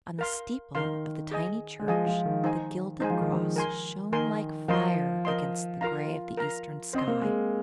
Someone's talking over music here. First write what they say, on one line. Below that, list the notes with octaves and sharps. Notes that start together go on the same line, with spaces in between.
On the steeple of the tiny church the gilded cross shone like fire against the gray of the eastern sky.
A#4 F5 C6
D#3 A#4 F5 C6
G#4 D#5 G#5
G#3
F3 G#4 D#5 G#5
F3
D#3
D#4 C5 G#5
G#3 D#4 C5 G#5
F3
D#3
F3
A#4 G#5 C6
D#3 A#4 G#5 C6
F3 A#4 D#5 C6
A#4 D#5 C6
F4 A#4 F5 A#5
A#4 F5 A#5
C4 C5 D#5 C6
A#3
G#3